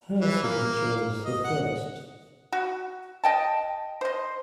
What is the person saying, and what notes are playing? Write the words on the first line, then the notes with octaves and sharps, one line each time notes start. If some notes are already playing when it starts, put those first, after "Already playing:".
Her signature was the first.
E3
A#3
D#5
F#5
F#4
D#5 G5 A5
C5 D#5